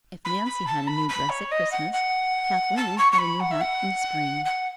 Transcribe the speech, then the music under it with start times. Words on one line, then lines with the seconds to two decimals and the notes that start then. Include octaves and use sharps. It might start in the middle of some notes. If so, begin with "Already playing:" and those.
If Nancy had a new dress at Christmas, Kathleen had a new hat in the spring.
0.25 B5
0.45 B5
0.67 A5
0.87 B5
1.09 B5
1.29 C#5
1.51 D#5
1.72 F#5
1.93 F#5
2.77 A5
2.98 C#6
3.12 C#6
3.18 B5
3.40 F#5
3.51 E5
3.61 F#5
4.45 F#5